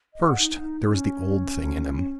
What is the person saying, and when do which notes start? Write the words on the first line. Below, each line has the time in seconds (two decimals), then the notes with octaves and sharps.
First there was the old thing in him.
0.14 D#5
0.26 F#5
0.39 D#4
0.51 D#4
0.81 D#4
0.90 C#4
1.96 C#4